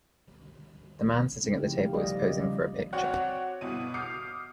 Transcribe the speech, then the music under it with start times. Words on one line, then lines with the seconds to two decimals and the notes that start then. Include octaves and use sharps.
The man sitting at the table is posing for a picture.
1.43 C#3 C4 D#4
1.56 F3 A3 E4 G4
1.76 G4 F5
1.94 G3 A3 F4 D5 D#5
2.20 C#3 A#3
2.39 F3 G3 A#3 C#4
2.93 C4 F#4 C#5 D5 F#5
3.61 G1 B2 E4 D#7
3.94 D6 D#6 F6 G6 C7 C#7